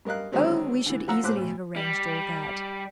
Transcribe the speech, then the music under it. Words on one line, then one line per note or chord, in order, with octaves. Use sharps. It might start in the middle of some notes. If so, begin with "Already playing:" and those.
'O, we should easily have arranged all that.
G2 A#4 D#5 F5 F#6
D3 D#3 F#3 G#3 C4 C#4
D3 E3
F3 F4 F#5 A#5 E6
A1 A2 C5 D6 F#6
D2 B2
G3